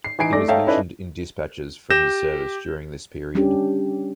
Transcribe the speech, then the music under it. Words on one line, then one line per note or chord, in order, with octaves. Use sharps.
He was mentioned in despatches for his service during this period.
C7
E3 D#4 G#5 C7 D7
A3 D5 D6 A#6
D#4 A4 C#5 E5 F5 G5
C#4 E4 A4 B4 D5 D#5
G4 G6 A#6 E7
G3 C#4 D4 G4